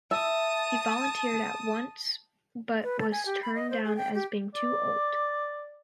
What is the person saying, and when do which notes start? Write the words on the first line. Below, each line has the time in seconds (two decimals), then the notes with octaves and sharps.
He volunteered at once but was turned down as being too old.
0.11 E5 A5 D#6
2.83 B4
3.00 A4
3.12 G#5
3.26 G4
3.43 B5
3.55 D#5
3.70 C5
3.84 G#4
3.97 G5
4.15 G4
4.55 D5